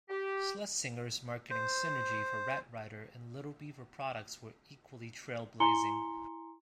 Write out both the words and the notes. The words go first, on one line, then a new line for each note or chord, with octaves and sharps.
Slesinger's marketing synergy for Red Ryder and Little Beaver products was equally trail-blazing.
G4
C5
E4 G#5 A#5 C6 C#7 G7